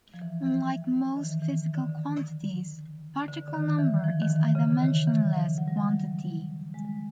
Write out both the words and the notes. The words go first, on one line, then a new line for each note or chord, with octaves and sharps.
Unlike most physical quantities, particle number is a dimensionless quantity.
F3
E3
F3
E3
D#3
E3
E3
D#3
D3
D3
D3
D#3
E3
F3
D#3
E3
C#3
E3
D#3
E3
F3
F#3
G3
F#3
G#3
G3